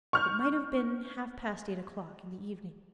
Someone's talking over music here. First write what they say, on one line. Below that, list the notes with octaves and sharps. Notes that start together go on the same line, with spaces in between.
It might have been half-past eight o'clock in the evening.
C#6 F6 G6